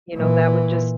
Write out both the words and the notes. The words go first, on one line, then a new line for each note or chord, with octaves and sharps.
you know, that would just
A#2 E3